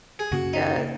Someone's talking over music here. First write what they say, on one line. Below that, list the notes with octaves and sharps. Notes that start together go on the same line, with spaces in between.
It does.
G#4
F#2 C#3 A#3 F#4
D#4
C#3 A#3